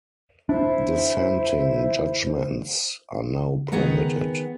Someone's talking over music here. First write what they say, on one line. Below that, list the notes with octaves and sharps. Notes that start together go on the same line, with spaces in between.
Dissenting judgments are now permitted.
D4 E4 C5
D#3 B3 G#4 F#5 A#5